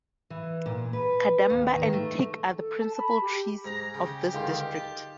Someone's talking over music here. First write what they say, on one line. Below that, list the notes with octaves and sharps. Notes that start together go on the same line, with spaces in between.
Cadamba and teak are the principle trees of this district.
E3
A#2
B4
D#2
D#3
A3
A4
A5
B5
G4
G#2 A#5
C#3 G4
C#2 D3 D#3 D#4 F5 C6
A5